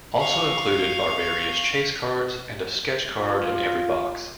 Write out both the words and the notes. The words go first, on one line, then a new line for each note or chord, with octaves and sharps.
Also included are various chase cards and a sketch card in every box.
F5 C#6
F4